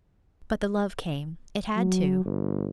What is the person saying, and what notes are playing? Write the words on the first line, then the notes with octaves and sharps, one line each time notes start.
But the love came ... it had to.
F#3
G1